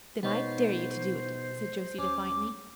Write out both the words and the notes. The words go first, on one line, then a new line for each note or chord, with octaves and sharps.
"Then I dare you to do it," said Josie defiantly.
B2 B3 D#4 C5 C#5
D2 C#4 D6